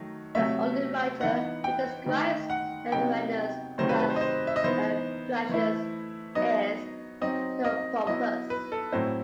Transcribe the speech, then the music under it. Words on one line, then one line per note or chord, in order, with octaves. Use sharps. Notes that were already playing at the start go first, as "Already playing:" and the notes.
The only writer who describes the Agrianes as Thracians is Theopompus.
Already playing: D#3 F#3 A3 D#4
C3 F#3 A3 E5
E3 B3 D#4 F#5
G5
D#3 A3 D#4
F#5
C3 F#3 B3 D#4 G5
C3 D#3 F#3 A3 C5
B4
B4
C5
D#5
C5
E5
D#5
E3 B3 D#4 C5
E3 A3 E4
F#3 B3 D#4 D#5
F#3 C4 D#4 D#5
D#5
F#3 B3 E4 D#5
B4
A4
A2 F#3 C4 E4 C5